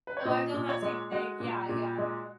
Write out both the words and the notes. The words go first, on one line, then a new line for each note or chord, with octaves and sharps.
Oh, I've done that same thing. Yeah. Yeah
B4
C#5
A#2 D#5
A#2
C#5
G#3
G#3 F#4
A#2
A#2
G#3